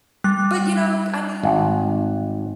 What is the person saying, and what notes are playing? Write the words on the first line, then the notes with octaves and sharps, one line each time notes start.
But, you know, I mean
G3 F#6
G#1